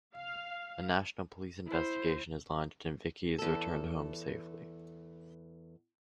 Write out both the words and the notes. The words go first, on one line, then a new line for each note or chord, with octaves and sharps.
A national police investigation is launched and Vicki is returned home safely.
F5
E4 C5
E2 A4